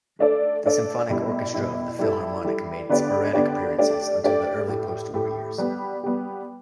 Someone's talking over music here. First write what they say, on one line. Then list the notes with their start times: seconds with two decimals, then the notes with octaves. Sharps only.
The symphonic orchestra of the Philharmonic made sporadic appearances until the early postwar years.
0.19 A3 D4 A4 D5
0.64 A3 D4 A4 D5
1.09 B2 G3 E4
1.54 B2 G3 E4
1.99 G3 E4 A4
2.44 G3 E4 A4
2.89 D3 B3 D4 G4 D5
3.33 D3 B3 D4 G4 D5
3.79 A3 D4 G4 D5
4.23 A3 D4 G4 D5
4.68 A2 A3 G4
5.14 A2 A3 G4
5.58 G3 B3 G4
6.04 G3 B3 G4